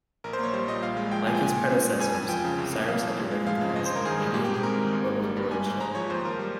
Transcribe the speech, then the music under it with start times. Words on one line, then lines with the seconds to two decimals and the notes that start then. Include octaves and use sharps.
Like his predecessors, Cyrus had to recognize Median overlordship.
0.24 A#1 A#4
0.33 C5
0.39 A#3 C#5
0.53 G3 C5
0.68 A#2 D#5
0.83 A#1 F5
0.97 G#3
1.11 F3 G5
1.27 A#2 G#5
1.35 G5
1.42 A#2 G#5
1.57 A#2
1.70 C#4
1.85 G#3
1.99 F2 G#5
2.14 F2 G#5
2.29 F3 G5
2.44 C#3
2.58 C2
2.73 A#3
2.88 F3 F5
3.03 A#2
3.16 F2
3.31 G#3
3.46 F3 F5
3.61 C#3
3.76 G1 D#5
3.86 C5
3.90 G1
3.95 A#4
4.05 D#3 G#4
4.20 G2
4.34 G#2 G4
4.44 G4
4.48 C4
4.54 G#4
4.63 G#3 A#4
4.78 D#3
4.92 G#1
5.08 A#3
5.22 G3
5.37 G2
5.51 G#2 G#5
5.66 G#2
5.80 G#3 A#5
5.95 F3 C#5
6.10 D#2 C5
6.25 D#2 A#4
6.39 G3